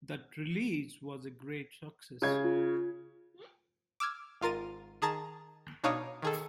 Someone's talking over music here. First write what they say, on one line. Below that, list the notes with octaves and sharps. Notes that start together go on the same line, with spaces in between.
The release was a great success.
C#3 G#6
F4
D6 E6 F6 G#6
G#1 F4 A#4 A6 D#7
D#3 G#4 A5 A#5 A6
B2 D4 D#4 C#5 F5 D#6
D#3 G#4 A4